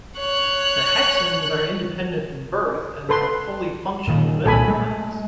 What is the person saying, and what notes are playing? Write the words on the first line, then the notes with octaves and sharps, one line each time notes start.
The hatchlings are independent from birth and have fully functional venom glands.
C#5 F#6
A4 B4 C6
A#2 D#3
C2 A#2 A4 G#5 B5
G#3 A3